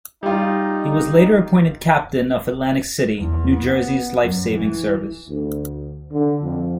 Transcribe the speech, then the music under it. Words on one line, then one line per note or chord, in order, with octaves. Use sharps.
He was later appointed captain of Atlantic City, New Jersey's lifesaving service.
G3 D#4 F4
E2
B3
F#2
E3
D2
D3
F2